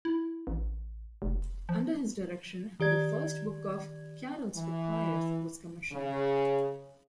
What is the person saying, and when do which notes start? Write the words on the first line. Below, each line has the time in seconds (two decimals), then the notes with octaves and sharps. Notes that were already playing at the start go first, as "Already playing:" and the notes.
Under his direction, the first book of "Carols for Choirs" was commissioned.
0.05 E4
0.47 A1
1.22 F1
1.69 F3
2.80 D#3 G4 D5 G#6
4.56 E3
5.92 C#3